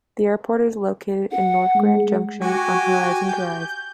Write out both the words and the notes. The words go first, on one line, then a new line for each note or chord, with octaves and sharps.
The airport is located in north Grand Junction on Horizon Drive.
F#5
G#3
F#4 G4 G#5
G6